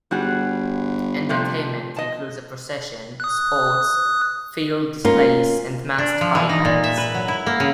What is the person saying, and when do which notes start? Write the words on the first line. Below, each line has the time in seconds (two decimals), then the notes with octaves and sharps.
Entertainment includes a procession, sports, field displays and massed pipe bands.
0.11 G1 G3 F#4 G#4
1.29 C3 F3 A3
1.96 D#5 A5
3.20 D#6 F#6
5.05 A#3 C#4 F4
5.98 D4
6.21 F3
6.35 E3
6.49 D#4
6.65 A#2
6.84 E5
6.97 B4
7.14 F#3
7.28 E4
7.46 A#3
7.60 C#3